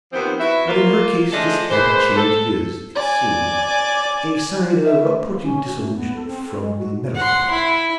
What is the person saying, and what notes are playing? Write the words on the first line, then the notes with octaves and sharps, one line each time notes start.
But in her case this happy change is, it seems, a sign of approaching dissolution, from the medical point of view.
D#2 F3 B3 C4
E4 F#4 B4 E5
A#3 F4
F3 A3 D4 G#4 A4 D#5
G#3 A#3 B4 C5
A4
D5 G#5
E5
A3
A#3
C#4
F#4
A3
B3
A4
C4
A4
G#3
F#4
F#5 C6
E4